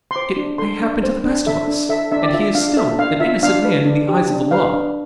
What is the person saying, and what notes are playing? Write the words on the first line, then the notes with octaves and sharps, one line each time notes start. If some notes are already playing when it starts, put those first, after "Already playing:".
"It may happen to the best of us; and he is still an innocent man in the eyes of the law."
C6
C5 D6
D4
A4 C6
D4
C5
D4
A4 E5
D4
A4 E5
D4 E5
D5
F4 E5
D4 F5
A4 E5
D4 F5
F4 E5
D4 F5
B4
D4
G4
D4
B4 F5
D4